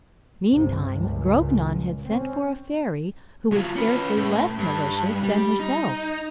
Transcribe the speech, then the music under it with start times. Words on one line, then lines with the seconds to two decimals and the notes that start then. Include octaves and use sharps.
Meantime, Grognon had sent for a fairy, who was scarcely less malicious than herself.
0.49 G1 C2 G2 C3
0.95 C#2 A#2
2.04 C4 C#4
3.52 F#3 F4
3.76 C#4 B4
4.17 A2
4.59 G2
5.23 G3
5.60 D#4